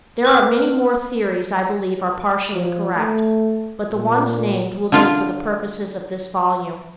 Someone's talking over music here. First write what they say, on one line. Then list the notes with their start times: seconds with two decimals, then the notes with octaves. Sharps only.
There are many more theories I believe are partially correct, but the ones named will do for the purposes of this volume.
0.25 B4 D6 F6
2.53 F3
2.97 A3
3.92 A#2
4.92 D3 F4 F5